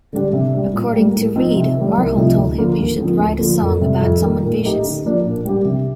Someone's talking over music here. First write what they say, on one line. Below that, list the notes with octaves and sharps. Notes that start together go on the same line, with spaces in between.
According to Reed, Warhol told him he should write a song about someone vicious.
D3 G3 D4 G4
C3
G3 D4
A#2
G3 A#3
A2
F3 C4 D#4
C3
D#3 G3
C2
C3 F3 A3 D#4
D2
D3 F3 A#3
D#2
D3 F3 C4
D2
D3 F3 A#3
F2
C3 G3
F2
D#3 A#3
A#2
A3 D#4 G4
D3
F3 A#3 D4
A#2
G3 D4 G4
C3